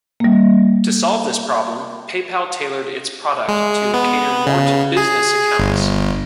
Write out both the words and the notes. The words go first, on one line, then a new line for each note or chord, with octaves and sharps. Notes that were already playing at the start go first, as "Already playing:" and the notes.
To solve this problem, PayPal tailored its product to cater more to business accounts.
G3 A#3
G#3
B3
C#3
G#4
G1